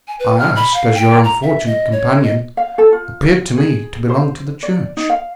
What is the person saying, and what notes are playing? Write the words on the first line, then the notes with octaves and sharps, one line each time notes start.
"I ask, as your unfortunate companion appeared to me to belong to the church."
G#5
B4
F6
B5
F5
G5
A#5
E5
D#5
C#5
D#5
F5
A4
F4
G#4
C5
D5
D#4
F5